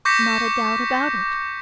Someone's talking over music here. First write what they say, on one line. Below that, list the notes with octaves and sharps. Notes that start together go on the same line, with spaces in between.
"Not a doubt about it."
C#6 D6 G6 A#6 B6 C#7